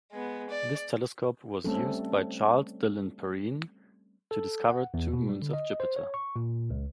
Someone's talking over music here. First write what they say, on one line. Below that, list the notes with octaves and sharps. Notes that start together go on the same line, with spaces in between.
This telescope was used by Charles Dillon Perrine to discover two moons of Jupiter.
G#3 B3
D5
G3 A3 C4 C#4 A4
A4
F#5
E2
B2
G3
D3
D#5
C5
C#5
C#6
A#2
C#2